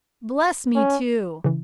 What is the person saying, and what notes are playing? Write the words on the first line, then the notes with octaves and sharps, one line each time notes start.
"Bless me too!"
C#4
C#3 E3